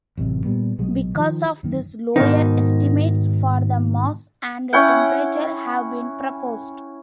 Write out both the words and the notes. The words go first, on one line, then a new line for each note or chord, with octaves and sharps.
Because of this, lower estimates for the mass and temperature have been proposed.
A1 F#2 C3
A#2 G3 B3
A#1 B2 F#3 G#3
D#3 F3
F#2 D#3
G#2 B2 D#3 D#4
C#4 E4 F#5 G5